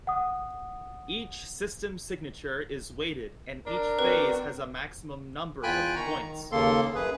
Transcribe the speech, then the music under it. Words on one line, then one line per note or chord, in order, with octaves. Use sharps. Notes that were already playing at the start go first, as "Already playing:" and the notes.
Each system signature is weighted and each phase has a maximum number of points.
F#5 D#6
D4 A#4
C4 F#4 B4
E2 F4 G5 G#5 B5 F#6
D#3 A#5 C#6
D#3
D#2 C#3 A#3 A4 C6
F#2 G#4 B4